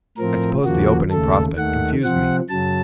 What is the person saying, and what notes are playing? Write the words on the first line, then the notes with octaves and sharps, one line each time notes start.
I suppose the opening prospect confused me.
A2 F3 C4 A#4
D#2 C#3 F3 A#3 F#4
D#2 C#3 A3 A4
D#2 D#3 A3 F#5
C3 F3 C4 F#5
F#2 C#3 F#3 A5